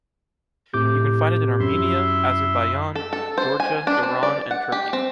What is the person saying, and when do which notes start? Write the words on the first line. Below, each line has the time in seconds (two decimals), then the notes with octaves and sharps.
You can find it in Armenia, Azerbaiyán, Georgia, Irán and Turkey.
0.74 A2 C3 D6 G6
1.60 F#2 E4 E5 C6
2.95 A4
3.13 A4
3.38 C5
3.60 G#5
3.87 D4
4.03 C4
4.23 D5
4.51 F#5
4.72 G4
4.93 C4